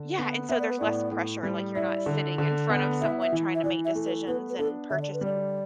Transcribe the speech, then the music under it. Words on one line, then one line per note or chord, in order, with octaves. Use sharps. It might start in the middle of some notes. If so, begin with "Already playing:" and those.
Yeah, and so there's less pressure, like, you're not sitting in front of someone trying to make decisions and purchasing
Already playing: D3
B3
B3 E5
D5
B4
A2 D5
A2
G3
E4 D5
D3
D3
B3
E4 E5
E5
E3
E5
E3 D5
E5
A3
B4
B3 B4
B4
D4 A4
D3 E5
D5
B4
G3 D5